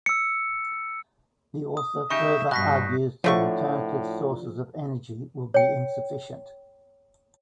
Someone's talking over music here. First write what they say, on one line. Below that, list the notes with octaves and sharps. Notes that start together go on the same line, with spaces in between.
The author further argues that alternative sources of energy will be insufficient.
E6 C#7
D#6
C#3 D#4 G4 E5 C#6 G6
G2 B2 F#6 A#6 B6
A2 D3 F3 A3 C#5 F#5 C#6
C#5 G5